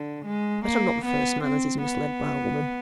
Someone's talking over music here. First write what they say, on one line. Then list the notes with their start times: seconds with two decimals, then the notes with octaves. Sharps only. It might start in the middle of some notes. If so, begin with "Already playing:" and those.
But I'm not the first man as is misled by a woman.'
Already playing: D3
0.26 G#3
0.65 A#3
1.05 B3
1.44 C4
1.83 B3